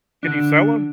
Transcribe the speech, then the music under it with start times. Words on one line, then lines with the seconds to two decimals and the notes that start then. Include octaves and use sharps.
Can you sell 'em?
0.23 D3 D4